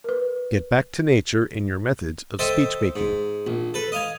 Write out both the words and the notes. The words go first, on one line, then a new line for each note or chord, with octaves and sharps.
Get back to nature in your methods of speech-making.
A#4 B4
A4 C5 D#5 E5 G5
G#2
A#1
A4 B4
D#5 F5 G#5